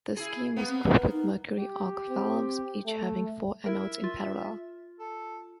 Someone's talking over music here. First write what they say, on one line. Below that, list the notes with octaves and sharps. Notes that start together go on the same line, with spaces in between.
This scheme was equipped with Mercury arc valves, each having four anodes in parallel.
E4 G#4
A#3 B3
C4
B4
D#4
G4
C4
A3
E4 A#4 E5
F4
A4